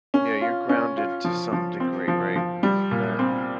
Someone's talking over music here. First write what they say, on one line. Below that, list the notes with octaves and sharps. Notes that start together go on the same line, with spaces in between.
Yeah, you're grounded to some degree, right, with that.
C#4
F4
C#4
F4
F3
F3
C4
F3
F3
G3
A#2
C4